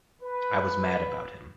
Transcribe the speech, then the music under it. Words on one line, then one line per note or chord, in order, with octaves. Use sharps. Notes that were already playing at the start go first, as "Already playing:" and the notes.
I was mad about him.
B4